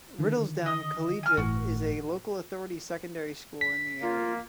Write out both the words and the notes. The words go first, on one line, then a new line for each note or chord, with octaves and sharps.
Riddlesdown Collegiate is a local authority secondary school in the area.
D3 D#3
D#5
G#5 F6
G1 A2 E3 F#4
B6
A#3 F4